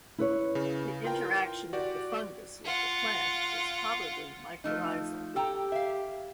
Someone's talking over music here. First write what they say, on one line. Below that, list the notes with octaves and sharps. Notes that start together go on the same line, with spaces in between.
The interaction of the fungus with the plant was probably mycorrhizal.
E4 B4 C#5
C#3
F4 A#4 G5
F#4 G4 D5
F4 F#5
F3 A3 D#4
G4 A4 G5 A#5
E5 F5